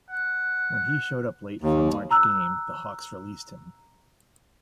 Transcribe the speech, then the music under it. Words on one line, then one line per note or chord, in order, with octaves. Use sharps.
When he showed up late for a March game, the Hawks released him.
F#5
D#2
A#5 E6 F#6